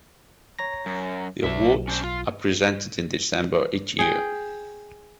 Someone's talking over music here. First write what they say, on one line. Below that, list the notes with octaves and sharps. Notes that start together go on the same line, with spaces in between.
The awards are presented in December each year.
C#5 A#5 A#6
F#2
B1 D4 E5
C#4 D4 C5
F4
G#4 G5